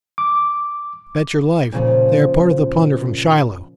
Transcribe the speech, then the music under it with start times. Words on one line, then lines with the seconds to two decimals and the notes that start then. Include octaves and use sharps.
Bet your life, they are a part of the plunder from Shiloh.
0.18 D6
1.72 A#2 C#3 E3 F3